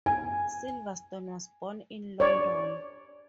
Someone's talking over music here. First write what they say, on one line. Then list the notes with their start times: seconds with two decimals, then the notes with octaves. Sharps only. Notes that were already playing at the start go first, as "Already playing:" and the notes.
Silverstone was born in London.
0.06 G#5
2.20 C#5 D5